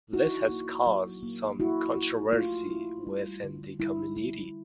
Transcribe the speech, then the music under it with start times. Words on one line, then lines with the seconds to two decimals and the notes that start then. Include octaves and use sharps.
This has caused some controversy within the community.
0.13 D#4 E4 F#4
0.49 A#3
0.86 F#3
1.23 A#3
1.60 E4 F#4
1.96 E4
2.32 A3 F4
2.70 E4
3.07 G3
3.44 D3
3.79 G3 E4
4.17 E4